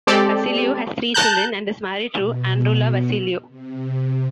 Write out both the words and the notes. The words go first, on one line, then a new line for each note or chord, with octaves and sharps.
Vassiliou has three children and is married to Androulla Vassiliou.
G#3 C4 G4 A4 D5
A5 A#5 F#6 G6
B2
C3